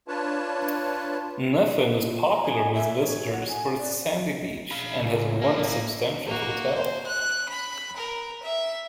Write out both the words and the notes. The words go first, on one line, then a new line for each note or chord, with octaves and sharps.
Nefyn is popular with visitors for its sandy beach, and has one substantial hotel.
D4 F4 B4 C#5 A5
E4
F4
A#5
G#5
E5
C#5
F#5
G#5
D5
F5 B5
C#2 A#2
A#3 E4
A#3 F#4
C5
F#6
B5
A#4
E5